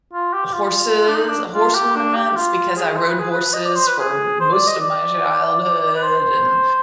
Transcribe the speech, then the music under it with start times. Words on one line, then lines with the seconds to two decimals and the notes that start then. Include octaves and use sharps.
horses horse ornaments because I rode horses for most of my childhood and
0.13 F4
0.34 G4
0.46 G4
0.53 F4
1.08 D4
1.15 D#4
1.28 D4
1.54 F4
1.75 G4
1.96 D4
2.16 G4
2.36 F4
2.76 G#4
2.97 C5
3.08 B4
3.19 G#4
3.30 B4
3.53 D#5
3.65 D5
3.75 C5
3.87 B4
3.99 G#4
4.40 C5
4.53 D5
4.67 D#5
4.81 D5
5.95 B4
6.02 C5